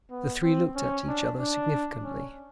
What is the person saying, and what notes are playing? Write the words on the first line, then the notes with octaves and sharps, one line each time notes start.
The three looked at each other significantly.
B3
C4
C#4
D4
D4
C#4